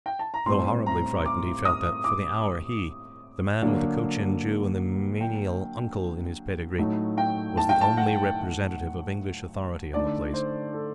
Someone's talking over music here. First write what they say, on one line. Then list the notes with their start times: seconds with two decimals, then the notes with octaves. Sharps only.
Though horribly frightened, he felt that, for the hour, he, the man with the Cochin Jew and the menial uncle in his pedigree, was the only representative of English authority in the place.
0.06 G5
0.19 A5
0.34 A#5
0.46 A2 G3 C4 G4 C6
0.86 A#5
1.25 D6
1.65 D#6
2.04 D6
3.62 D3 F#3 A#3 D4
5.21 G5
6.78 A2 F#3 A3 D#4 F#4
7.18 G5
7.57 A5
7.69 G5
7.81 A5
7.97 F#5
9.94 D3 A3 D#4 D5
10.33 C5
10.73 A4